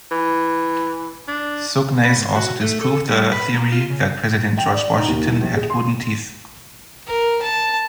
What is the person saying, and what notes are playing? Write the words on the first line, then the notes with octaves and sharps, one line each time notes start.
Sognnaes also disproved the theory that President George Washington had wooden teeth.
E3
D4
B4
G#2
F#4
A3
A4
G3
B4
A#3
F4
C#3
G5
D5
D#4
D#2
C2
A#1
G#4
C6
A#4
A5